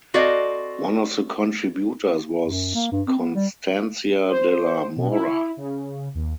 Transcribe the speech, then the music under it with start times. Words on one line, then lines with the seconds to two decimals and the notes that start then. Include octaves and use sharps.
One of the contributors was Constancia de la Mora.
0.14 C4 F#4 A4 D5 D#5 F5
2.46 F#2
2.75 A#3
2.92 G2
3.08 C4
3.19 B3
3.35 G3
4.30 C5
4.96 B2
5.11 E4
5.57 C#3
6.15 D#2